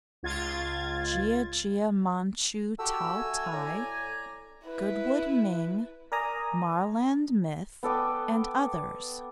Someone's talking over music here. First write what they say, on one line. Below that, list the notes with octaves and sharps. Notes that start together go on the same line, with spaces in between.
Gia-Gia, Manchu Tao-Tai, Goodwood Ming, Marland Myth, and others.
C#2 F4 G#6 A6
F#4 G4 A4 E6
A3 G#5
A2 D5 A#5
E4 B4
A#4 D5 G#5 A#5 D#6
B3 A4 D5 G5